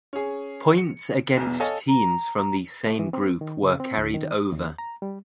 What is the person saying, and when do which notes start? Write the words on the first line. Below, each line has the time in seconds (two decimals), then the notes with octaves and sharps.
Points against teams from the same group were carried over.
0.13 C#4 G#4
0.77 C#7
1.37 B1 E2
1.60 A4 C#5 D#5 F5 G#5 A5
1.88 A#5
2.37 A#5
2.87 A3
2.99 E3
3.13 C4
3.41 D#3
3.63 C#3
3.80 C4
3.97 D2
4.14 D#3
4.32 D#6
4.52 D#2
4.78 A#5
5.02 G3